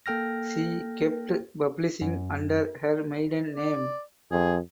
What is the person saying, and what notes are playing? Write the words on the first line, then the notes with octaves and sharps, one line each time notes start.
She kept publishing under her maiden name.
A#3 A4 G5 F6 A#6
F#2
D5
F2 G#4